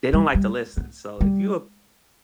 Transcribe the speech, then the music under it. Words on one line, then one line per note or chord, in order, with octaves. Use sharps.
they don't like to listen. So if you a
G3
G3
B3
G3